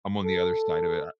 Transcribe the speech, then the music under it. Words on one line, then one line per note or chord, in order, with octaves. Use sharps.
I'm on the other side of it a
A4